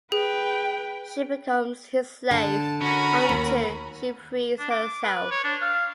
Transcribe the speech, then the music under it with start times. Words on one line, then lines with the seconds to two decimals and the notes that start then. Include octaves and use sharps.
She becomes his slave until she frees herself.
0.12 G#4 B4 G5
2.31 D3 A5
2.82 C#4 F#4 A#4 B5
3.29 D#2
4.59 D4
4.70 D6
5.04 B4
5.31 C#5
5.44 D4
5.62 F5